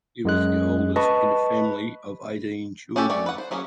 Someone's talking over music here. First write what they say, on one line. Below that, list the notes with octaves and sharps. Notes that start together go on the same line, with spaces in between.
He was the oldest in a family of eighteen children.
F#2 G#3 F#6
B4 D#5 A5 C#6
C#4 F#4 G4 A4
A3 C#5 D5
B4 F#5
C5
F#3 A#3 C#4 G#4